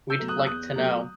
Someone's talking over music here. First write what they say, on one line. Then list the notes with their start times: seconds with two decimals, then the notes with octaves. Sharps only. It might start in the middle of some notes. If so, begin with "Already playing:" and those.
We'd like to know.
0.10 E6 G6
0.19 B2 F#3 A3
0.28 D#6 F#6
0.39 E6
0.47 E2 D#6 F#6
0.76 B2 F#3 A3